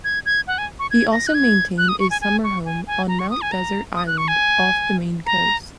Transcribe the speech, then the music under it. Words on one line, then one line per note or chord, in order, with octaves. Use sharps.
He also maintained a summer home on Mount Desert Island off the Maine coast.
G#6
G#6
F#5
G#5
C#6
G#6
A#6
F#6
G#6
F#6
D#6
C#6
G#5
G#5
C#6
G#5
G#5
A#5
C#6
D#6
G#5
A#5
D#6
F#6
C#6
G#5
A#5